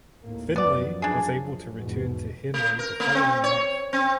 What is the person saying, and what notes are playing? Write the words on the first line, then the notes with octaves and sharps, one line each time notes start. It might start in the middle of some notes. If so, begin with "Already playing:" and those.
Finlay was able to return to Henley the following month.
D#2 A2 A#3
F#2 F3 B3 D5
D4 G#4
E2 G#2 B2
A3
A#4
A3
C4
C#5
C4